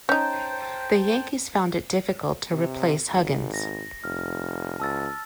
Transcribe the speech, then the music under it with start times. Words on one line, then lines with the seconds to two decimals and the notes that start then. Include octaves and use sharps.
The Yankees found it difficult to replace Huggins.
0.09 C#4 D#4 C5 G5 A5 A#5 G6
2.53 C3
3.12 G#1
3.54 A#6
4.04 F1 F6
4.80 C#2 A5 E6 A6